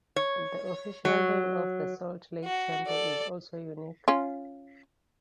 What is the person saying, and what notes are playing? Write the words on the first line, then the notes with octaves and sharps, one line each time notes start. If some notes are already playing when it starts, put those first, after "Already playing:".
The official name of the Salt Lake Temple is also unique.
C#5
F#3
F#4
A4 D5
C#4 F4